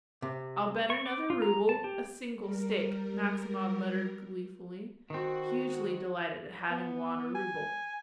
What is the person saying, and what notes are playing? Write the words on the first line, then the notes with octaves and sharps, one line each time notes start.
"I'll bet another rouble, a 'single' stake," Maximov muttered gleefully, hugely delighted at having won a rouble.
C3
C#6
D6
F4
A#5
A5
G4
G3 A#4
D#3 C4 F#4
B3
G#5